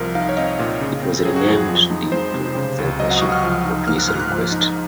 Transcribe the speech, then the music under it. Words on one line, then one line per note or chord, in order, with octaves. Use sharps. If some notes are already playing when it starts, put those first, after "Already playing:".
It was renamed due to censorship office request.
Already playing: C2 F3 A#4
D#4 F5
C#5
C4 D#5
A#2
C#3
C4
F#3 G#4
F#4
F2 G#4
F#4
F3
D#4
G#3 C5
C3
C#3
C#2
F#3 D#5
F#5
D#6
C#2 C#6
F6
F3
D#4
A#3 F6
F#6
G#2 F6
F#6
F3
D#4